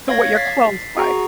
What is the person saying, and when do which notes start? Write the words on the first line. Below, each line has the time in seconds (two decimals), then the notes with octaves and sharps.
to what your clothes like.
0.08 C#5 F5 G#6 A#6
0.36 A6 B6 C7
0.97 F#4 G#4 A#5 C#6